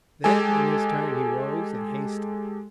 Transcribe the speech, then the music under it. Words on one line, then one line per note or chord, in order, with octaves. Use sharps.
Then in his turn he rose, and hastily.
G#3 G4 A4 G#5